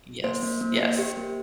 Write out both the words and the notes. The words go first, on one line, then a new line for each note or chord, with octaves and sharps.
Yes, yes.
A#3 C5
A#3
A#3
A#3
G4
A#3